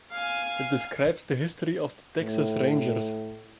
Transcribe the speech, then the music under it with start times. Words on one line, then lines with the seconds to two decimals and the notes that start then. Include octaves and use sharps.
It describes the history of the Texas Rangers.
0.11 F5 G#5
2.19 A2